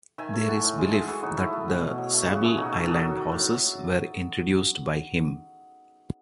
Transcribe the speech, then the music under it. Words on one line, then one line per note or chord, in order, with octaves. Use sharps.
There is belief that the Sable Island horses were introduced by him.
D#3 E5 G#5
A3
E3 F#5 A5
A2
G#3 G#5
A5
G#3 E5 G#5
E3 F#4 A4
A2 D#4 F#4
A3 E4 G#4
A3
B2
B2
F#3
A3
C#3 G#4
F#4
A3 E4 G#4
B2 D#4 F#4
B2 A4
G#4
D#3 F#4 A4
F#3
F#3
A2